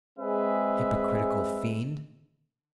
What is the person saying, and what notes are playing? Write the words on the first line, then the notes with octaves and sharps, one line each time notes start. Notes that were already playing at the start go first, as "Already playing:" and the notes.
Hypocritical fiend!
G#3 C4 G#4 B4 E5